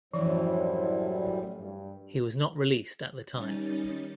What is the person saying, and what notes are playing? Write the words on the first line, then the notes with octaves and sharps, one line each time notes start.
He was not released at the time.
F#2 A2 E3 F3 G3 D4 E4 C5
G2
D#3 G3 C#4 D#4 A6